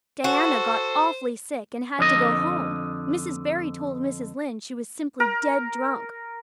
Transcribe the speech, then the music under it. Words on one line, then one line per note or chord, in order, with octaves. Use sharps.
Diana got awfully sick and had to go home. Mrs. Barry told Mrs. Lynde she was simply dead drunk.
F#4 A4 C5
F2 D3 D#5
A#4